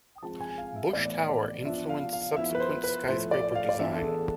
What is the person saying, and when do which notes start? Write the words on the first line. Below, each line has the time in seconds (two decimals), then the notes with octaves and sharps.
Bush Tower influenced subsequent skyscraper design.
0.22 F3 G#3 C4 F4 A5
0.41 G#5
0.58 F5
0.76 E5
0.93 A2 E3 B3 E4 D5
1.29 D5
1.65 F3 B3 D4 F4 E5
1.89 F5
2.13 F5
2.36 F3 B3 E4 E5
2.55 B4
2.60 C5
2.84 B4
3.08 A2 F3 A3 E4 C5
3.31 D5
3.55 F5
3.69 D5
3.79 E3 B3 D4 F4 E5
3.96 A4
4.03 G#4